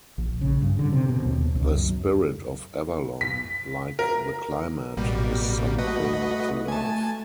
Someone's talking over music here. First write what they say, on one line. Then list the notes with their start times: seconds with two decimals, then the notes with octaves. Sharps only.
The spirit of Avalon, like the climate, is something to love.
0.18 A#1
0.41 C#3
0.62 G2
0.79 D3
0.93 C3
1.09 B2
1.25 D#2
1.55 C#2
1.74 F#2
3.21 B6
3.99 A#4
4.97 A1 B2 G3 A#3
5.78 A3 F#4 B4 D#5
6.68 A3 G#5 A5